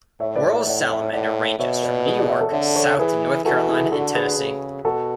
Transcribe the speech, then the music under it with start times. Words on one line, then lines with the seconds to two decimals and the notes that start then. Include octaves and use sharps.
Wehrle's salamander ranges from New York south to North Carolina and Tennessee.
0.20 A2 C#5 E5
0.36 B4 D5
0.51 C#5 E5
0.66 A2 D5 F#5
0.90 C#5 E5
1.13 A2 D5 F#5
1.59 B2 C#5 E5
1.83 B4 D5
2.06 G#4 B4
2.17 D5 F#5
2.29 C#5 E5
2.41 A4 C#5
2.52 D3 C#5 E5
2.76 A4 C#5
2.99 E3 G#4 B4
3.45 E3 F#4 A4
3.69 E4 G#4
3.91 D3 F#4 A4
4.15 G#4 B4
4.38 C#3
4.85 B2 F#4 A4